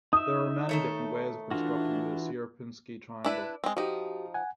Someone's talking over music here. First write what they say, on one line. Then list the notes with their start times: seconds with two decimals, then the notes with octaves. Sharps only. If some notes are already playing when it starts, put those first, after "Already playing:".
There are many different ways of constructing the Sierpinski triangle.
0.13 D#4 E5 D#6
0.69 D#3 A3 C#5
1.51 E3 D4 F4 F#4
3.25 D4 E4 B4
3.64 G#3 C4
3.77 F3 D#4 F#4 G4
4.34 F#5 G#5